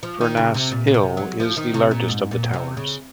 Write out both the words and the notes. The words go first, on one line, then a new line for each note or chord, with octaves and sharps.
Furnas Hill is the largest of the towers.
F3
D#3
C#3
C3
A#2
C#3
C3
F#3
F3
D#3
C3
A#2
G#2
A#2
C3
C#3